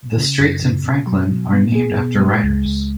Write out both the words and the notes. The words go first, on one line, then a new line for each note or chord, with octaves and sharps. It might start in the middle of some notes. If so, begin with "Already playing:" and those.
The streets in Franklin are named after writers.
C#3
F#2
C#3
B2
F#3
B2
B3
G#4
B2
G#3
C#2
C#2